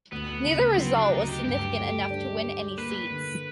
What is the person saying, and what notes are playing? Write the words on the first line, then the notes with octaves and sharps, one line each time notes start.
Neither result was significant enough to win any seats.
D2 B3
C#3
F#3 C4
D4
D2 D#4
G4
G2 G4
A3
D4
D4
A#3 B4
D3